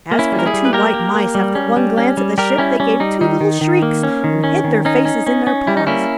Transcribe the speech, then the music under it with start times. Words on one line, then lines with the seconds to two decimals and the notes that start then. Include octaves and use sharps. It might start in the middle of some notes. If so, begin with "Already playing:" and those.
As for the two white mice, after one glance at the ship, they gave two little shrieks and hid their faces in their paws.
0.12 A#3
0.19 C#4 E4
0.32 G3
0.39 A#4
0.46 E4 G#4
0.53 G3
0.65 B4
0.73 A#3 G4 A#4
0.94 A#3
1.15 A#3
1.35 G3
1.55 C#4
1.77 G3
1.98 C#4
2.17 G3
2.38 G3 G4 A#4
2.58 G3 C#4 E4
2.80 G3 C#4
3.00 G3 D#4
3.21 D#3 D#4
3.41 D#3
3.61 D#3
3.82 A#3
4.03 C#4
4.24 D#3
4.44 C#4
4.64 D#3
4.85 C#4 D#4
5.05 C#4
5.27 C#4
5.47 C#4
5.67 G3 E4
5.77 D#4
5.87 A#3 C#4 E4